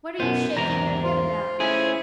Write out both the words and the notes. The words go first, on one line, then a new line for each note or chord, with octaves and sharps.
What are you shaking your head about?
F#2 B2 B3 C5
E2 G#2 C3 A#4 A#5
F4 C5
A3 C#4 E4 G#4 G#5